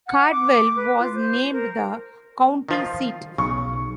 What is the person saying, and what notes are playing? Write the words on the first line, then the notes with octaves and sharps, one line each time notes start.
Caldwell was named the county seat.
F#5
D6
D6
B4
F4
C5
A#4
D#3 F3 F4
B1 C#3 C#6